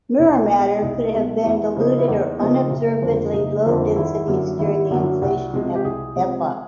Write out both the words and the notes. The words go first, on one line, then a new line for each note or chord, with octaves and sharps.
Mirror matter could have been diluted to unobservably low densities during the inflation epoch.
C2 E4
B2 G#3
C2 D#4
B2 G#3
E2 E4
C#3 F3 A#3 D#4
E4
E2 D#4
C#3 F3 A#3 D#4
F#1
F2 D3 F3
F#1 D#4
F2 D3 F3
G#1 E4
F#2 D3 F#3 A#3
G#1 E4
F#2 D3 F#3 A#3
C2 F#4
C3 F3 G#3
G4
C2 G#4
C3 F3 G#3